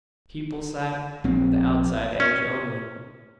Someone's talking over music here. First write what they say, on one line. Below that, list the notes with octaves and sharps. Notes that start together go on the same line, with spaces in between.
People sat at the outside edge only.
A#1 C4
C#4